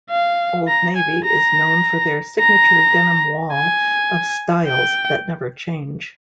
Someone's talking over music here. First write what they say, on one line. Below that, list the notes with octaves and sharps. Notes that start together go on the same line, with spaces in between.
Old Navy is known for their signature denim wall of styles that never change.
F5
A#5
G#5
A#5
A#5
G#5
G5